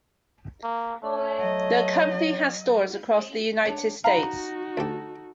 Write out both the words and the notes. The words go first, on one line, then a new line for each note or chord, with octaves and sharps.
The company has stores across the United States.
A#3
A3 C#5
F#3 D#5
D4 C#5 A5
D#4 F#4 F5 A#5 B5
D2 G4 A4